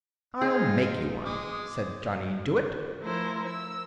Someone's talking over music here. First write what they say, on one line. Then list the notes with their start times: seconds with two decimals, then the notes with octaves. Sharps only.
"I'll make you one," said Johnny Dooit.
0.41 D#4 F4 G#4
1.25 G#3 D6 D#6
3.02 F3 A3 E4 A#4 C5
3.48 E6